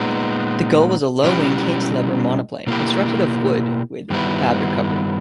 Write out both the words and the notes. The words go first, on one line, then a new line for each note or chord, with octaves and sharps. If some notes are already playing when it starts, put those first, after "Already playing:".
The Gull was a low-wing cantilever monoplane, constructed of wood with fabric covering.
Already playing: A#2 G#3 B3 D#4
B2 G3 C#4 E4 G4
B2 A#3 C#4 E4 G4
G2 D#3 G3 B3 E4